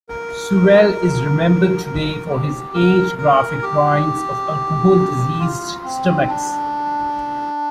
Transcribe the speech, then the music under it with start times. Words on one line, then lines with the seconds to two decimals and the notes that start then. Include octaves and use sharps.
Sewell is remembered today for his eight graphic drawings of alcohol diseased stomachs.
0.09 A#4
1.86 A#4
2.30 G4
2.74 A#4
3.18 A#4
3.62 G4
5.40 F4
5.84 C4
6.28 D4